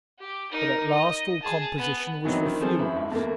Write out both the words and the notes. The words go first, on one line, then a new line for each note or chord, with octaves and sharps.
But at last all composition was refused.
G4
D#4 A#4
D#5
G#4 A5
B3
D#3 E3 F#3 B3 C4 D#4
D#3 C4
F3 C4 G#4 A4 C5
F#2 E4 B4
G#1
E2 A3 A#3